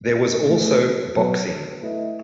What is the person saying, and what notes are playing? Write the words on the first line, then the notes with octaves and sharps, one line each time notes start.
There was also boxing.
A2 E3 A3
B2 F#3 B3 F#4 B4
A3 E4 B4 D#5